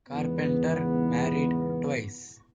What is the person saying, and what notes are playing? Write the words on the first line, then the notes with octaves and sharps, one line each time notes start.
Carpenter married twice.
E2 G#2 C#3 B3